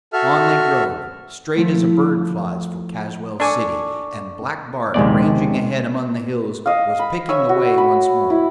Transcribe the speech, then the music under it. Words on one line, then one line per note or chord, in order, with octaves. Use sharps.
On they drove, straight as a bird flies for Caswell City, and Black Bart, ranging ahead among the hills, was picking the way once more.
F#4 A4 E5 F6
F3 A3 E4
D4 A4 G#5 C#6 D6
A#1 D#2 C3 G#3 B3 D5
D#5 F5
B5
C#5 E5 C#6
F#4
B5
E4